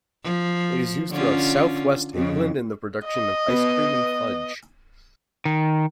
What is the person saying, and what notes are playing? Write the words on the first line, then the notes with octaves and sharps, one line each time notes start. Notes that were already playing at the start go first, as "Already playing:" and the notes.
It is used throughout southwest England in the production of ice cream and fudge.
F3
D3 C#4 F4
F2 C#3
D#5
B3 B4
D#3